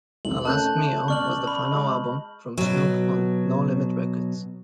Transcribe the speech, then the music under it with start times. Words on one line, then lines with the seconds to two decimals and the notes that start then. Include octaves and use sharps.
"Tha Last Meal" was the final album from Snoop on No Limit Records.
0.25 B1 E2 C3 F#7
0.45 A3 C#4 A#4 A5 F#6 G6
1.08 C#2 B2 D5 C#6 F6 F#7
1.47 B5
1.71 G#3 D#5
2.58 B2 F#3